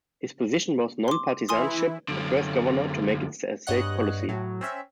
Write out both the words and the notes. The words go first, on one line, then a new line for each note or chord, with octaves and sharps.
His position was non-partisanship, the first governor to make it a state policy.
C6 D6
E3 E4 G#5 C6 D#6
F#2 D3
G2 C#5 D#5 F#5 F#6
A2 F#3
C4 C#4 E5